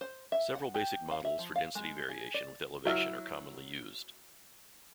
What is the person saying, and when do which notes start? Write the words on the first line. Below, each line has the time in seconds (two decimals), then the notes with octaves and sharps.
Several basic models for density variation with elevation are commonly used.
0.01 C5
0.32 E5
0.55 F#5
0.74 G4
1.11 F5
1.25 E5
1.39 F3
1.56 F5
1.75 G#3
2.09 G#4
2.34 D5
2.86 F#3 E4 E6 F6